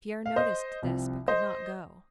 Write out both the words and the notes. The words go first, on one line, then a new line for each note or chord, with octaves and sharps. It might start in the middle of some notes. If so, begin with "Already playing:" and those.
Pierre noticed this but could not go.
F5
C5 D#5
C2 C3 F3
C5 D#5